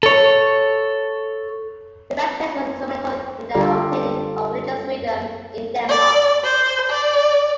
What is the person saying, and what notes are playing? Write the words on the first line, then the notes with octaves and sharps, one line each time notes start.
The Baptists were instrumental in the obtaining of religious freedom in Denmark.
A4 C#5
D3 G3 F4 G4 A4 D5
D5
C5
D5